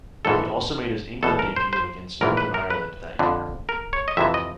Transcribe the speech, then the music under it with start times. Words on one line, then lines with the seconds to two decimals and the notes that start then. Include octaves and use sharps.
He also made his England debut against Northern Ireland that year.
0.25 A#1 G#2 E3 A4
1.23 E2 B2 A4
1.39 A#4
1.56 C5
1.73 C5
2.21 A#1 G#2 E3 A#4
2.37 B4
2.54 A#4
2.70 B4
3.19 F2 D3
3.69 A#4
3.93 C#5
4.08 D#5
4.17 F2 C3 E3 E5
4.34 D#5